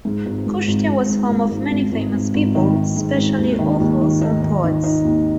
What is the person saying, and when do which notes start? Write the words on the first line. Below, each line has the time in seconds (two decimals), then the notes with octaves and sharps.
Kushtia was home of many famous people, especially authors and poets.
0.05 G#2
0.26 G#1
0.47 G#1
0.67 G#1
0.88 G#1
1.09 G#2
1.30 G#1
1.51 G#1
1.72 G#1
1.92 G#1
2.13 G#1
2.34 G#1
2.55 D#3
2.76 D#3
2.96 G#2
3.18 G#1
3.38 D#2
3.59 D#3
3.80 D#2
4.01 D#3
4.22 D#4
4.42 D#3
4.63 D#3
4.84 D#4
5.05 D#2